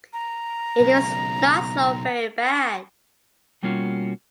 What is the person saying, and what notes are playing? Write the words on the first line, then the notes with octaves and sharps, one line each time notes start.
It was not so very bad.
A#5
B1 C#3
B2 G3 A#3 C#4 F4 F#4